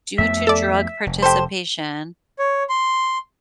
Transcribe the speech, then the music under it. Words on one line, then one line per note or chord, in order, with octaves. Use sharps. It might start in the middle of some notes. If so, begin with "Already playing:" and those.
due to drug participation.
F2 A3 B3 E5
A4 D5
F1
G4 A4 C5
C#5
C6